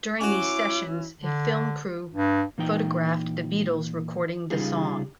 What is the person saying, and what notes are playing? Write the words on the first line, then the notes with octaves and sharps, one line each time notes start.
During these sessions, a film crew photographed the Beatles recording the song.
C#4 E4 F#4 D6
D3
G2
A#2 E3 D#4 G5
C#3 G3 D#4 F4 G#4